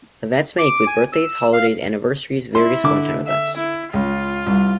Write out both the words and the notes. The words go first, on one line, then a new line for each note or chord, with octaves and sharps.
Events may include birthdays, holidays, anniversaries, various one-time events.
D6
G#5
E6
F5
E4 C6
D3 D6
E5
E4
C#2 F4
C2